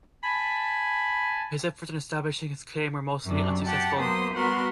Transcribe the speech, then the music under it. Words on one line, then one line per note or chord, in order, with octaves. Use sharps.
His efforts in establishing his claim were mostly unsuccessful.
G#5 A5 B5
F#2 C3 D4
G4 F#5 G5 A5
F#3 A#3 B3 C5 C6 D#6
G3 B3 F#4 A#4 F#5 C6